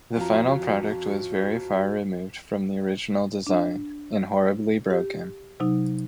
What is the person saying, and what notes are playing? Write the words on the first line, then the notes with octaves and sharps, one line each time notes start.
The final product was very far removed from our original design, and horribly broken.
F2 F4 F#4 A#5
D4
G4
C3 F#3 D#4